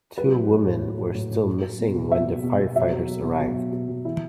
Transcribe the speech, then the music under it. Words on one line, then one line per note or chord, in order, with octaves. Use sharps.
Two women were still missing when the firefighters arrived.
F#3 B4
F#3
A2
A2
F#3
F#3
A2
A2
F#3
F#3
B2
B2
F#3 E5
F#3
B2
B2
F#3 E5
F#3
B2
B2
F#3
F#3
B2
B2
E3 E4